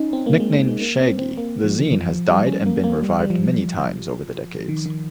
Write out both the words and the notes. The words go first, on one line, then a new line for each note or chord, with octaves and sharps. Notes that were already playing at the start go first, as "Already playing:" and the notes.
Nicknamed "Shaggy", the zine has died and been revived many times over the decades.
Already playing: C#4 D#4
C4
A#3
G#3
G#3
G#3
A#3
C4
C4
A#3
F3
D#3
F3
F3
G3
C#4
A#3
A#3
G3
G3
F3
D#3
D#3